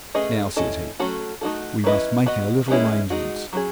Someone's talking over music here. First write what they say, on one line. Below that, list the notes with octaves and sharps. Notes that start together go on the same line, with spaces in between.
'Now,' says he, 'we must make our little arrangements.
A3 C#4 G#4 B4 D#5
C#4 E4 A4 D#5
F#3 A3 C#4 F#4 A4
A3 D#4 F#4 A4
F#3 C#4 E4 B4 D#5
B3 F#4 B4 D#5
E3 G#3 C#4 E4
G#3 D#4 F#4
F#3 C#4 G#4